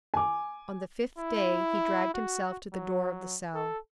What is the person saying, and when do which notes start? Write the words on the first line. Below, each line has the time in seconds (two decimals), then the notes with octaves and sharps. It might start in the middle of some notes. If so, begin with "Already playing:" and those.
On the fifth day he dragged himself to the door of the cell.
0.14 G#5 D6
1.18 E4
2.14 F#4
2.73 F#3
3.55 A4